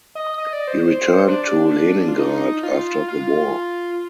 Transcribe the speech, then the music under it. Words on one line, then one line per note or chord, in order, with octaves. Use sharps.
He returned to Leningrad after the war.
D#5
D#5
D5
C5
D4
F4
D#4
F4
F4